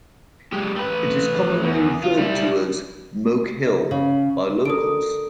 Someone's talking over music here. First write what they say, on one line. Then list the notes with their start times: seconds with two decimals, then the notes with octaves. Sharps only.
It is commonly referred to as "Moke Hill" by locals.
0.52 G#3 G4
0.76 A3 B4
1.62 E2
2.03 F4
2.18 G3 E4
3.91 C#3
4.65 D4 A4 A#4 D#6 D7